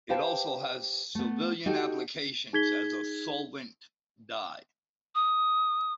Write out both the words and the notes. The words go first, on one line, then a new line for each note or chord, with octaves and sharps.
It also has civilian applications as a solvent dye.
G4 B4 C5 F5 G5 A5
A3 B3
D#4 F#4 G4 A4
D#4 G#4 G#6 B6 G7
D#6